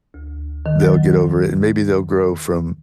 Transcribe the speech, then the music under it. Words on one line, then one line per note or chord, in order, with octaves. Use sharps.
they'll get over it, and, maybe they'll grow from
D2
D#3
F#3